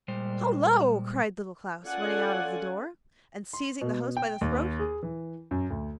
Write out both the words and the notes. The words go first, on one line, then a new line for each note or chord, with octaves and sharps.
'Hullo!' cried Little Klaus, running out of the door, and seizing the host by the throat.
A#2 G3 G#3 C5
C#4 F4 A4 D5 F#5 G#5
C6
B2
G5
D#2
G#4
E3
F#2
D2